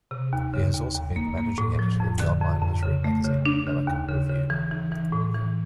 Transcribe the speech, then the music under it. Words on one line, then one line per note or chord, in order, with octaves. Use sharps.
He has also been the Managing Editor of the online literary magazine "Melic Review".
C3
D#2
C#3
D#2
D#2
A#3
A#3
A2
F3
F2
D3
F2
F2
C#3
A3
C#3
D4
C#3
D#2
C#3
C#3
E3
E3
E3
A2
E3